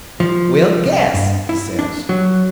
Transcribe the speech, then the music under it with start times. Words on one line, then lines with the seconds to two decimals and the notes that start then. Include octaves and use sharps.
"Well, guess," he says.
0.20 F3
0.85 C2
1.14 G2
1.49 E4
1.79 D4
2.09 F#3